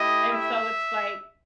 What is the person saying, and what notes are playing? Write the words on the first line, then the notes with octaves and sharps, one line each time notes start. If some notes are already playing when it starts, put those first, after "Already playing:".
and so it's like,
Already playing: A3 E4 G4 D#5
E5